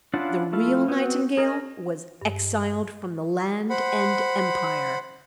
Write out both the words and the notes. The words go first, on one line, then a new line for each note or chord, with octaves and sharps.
The real Nightingale was exiled from the land and empire.
C#4 D4 E4 F4 F#5
F3 A3 E4 F4
B3 C4 F#4
G#4 A#4 D#5
G2
C5 F#5 B5